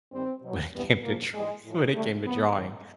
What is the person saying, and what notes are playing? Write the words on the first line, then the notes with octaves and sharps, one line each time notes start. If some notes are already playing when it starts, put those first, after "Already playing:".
when it came to dr when it came to drawing.
G2 D#3 G3 C4
B2 F#3
G2 E3 G3 B3
A#2 F3 A#3
G#2 E3 G3 G#3
A2 F3
B2 G3 A3
E2 C#3 F3 B3
G#2 D#3 G3